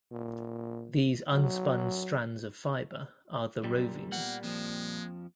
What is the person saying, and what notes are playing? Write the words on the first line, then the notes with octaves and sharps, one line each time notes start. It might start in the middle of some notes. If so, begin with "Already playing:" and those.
These unspun strands of fibre are the rovings.
A#2
F#3
F#2 A#2 G3
A#3 B3 F#5
F2 F3 G#3 A#3